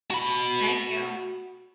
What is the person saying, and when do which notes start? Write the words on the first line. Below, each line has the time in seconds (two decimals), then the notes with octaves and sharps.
Thank you.
0.11 F#4 B5